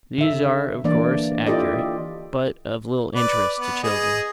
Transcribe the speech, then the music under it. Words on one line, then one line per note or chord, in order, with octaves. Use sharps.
These are, of course, accurate, but of little interest to children.
D3 E5
E3 A#3 D4 D5
E4 F4 G4 A4 D5 D#5
B4 D5
B3
G#4 D#5